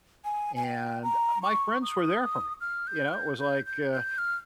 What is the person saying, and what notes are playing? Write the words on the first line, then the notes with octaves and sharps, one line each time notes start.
and, uh, my friends were there for me, you know, it was like, uh,
G#5
G#5
G5
A#5
C#6
D#6
F6
G6
F6
G6
G6
G6
G6
F6